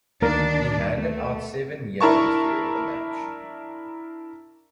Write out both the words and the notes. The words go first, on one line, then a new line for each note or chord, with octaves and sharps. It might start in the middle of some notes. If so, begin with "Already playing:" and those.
He handed out seven yellows during the match.
D2 D#3 A#3 D4 A#4 D5
A3
D4 E4 A#4 A5 C#6